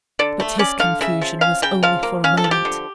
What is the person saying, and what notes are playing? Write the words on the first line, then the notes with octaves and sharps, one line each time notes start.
But his confusion was only for a moment.
D3 D5
A3
C#4 D5
D3 F5
C#3 E5
F3
C#4 F5
C#3 G5
F3 F5
A#3
C#4 F5
A4
F3
G4
D3